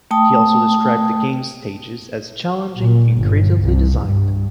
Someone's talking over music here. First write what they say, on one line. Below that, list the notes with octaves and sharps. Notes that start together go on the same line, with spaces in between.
He also described the game's stages as "challenging and creatively designed".
A3 G5 A5 D#6
A#2
G1
C2
G2